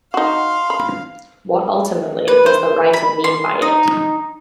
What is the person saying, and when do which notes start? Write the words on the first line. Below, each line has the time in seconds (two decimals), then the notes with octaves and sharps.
What, ultimately, does the writer mean by it?
0.14 D#4 F#4 F5 C6
0.70 B5
2.28 B4
2.46 C5
2.93 B5
3.24 C6
3.62 D#4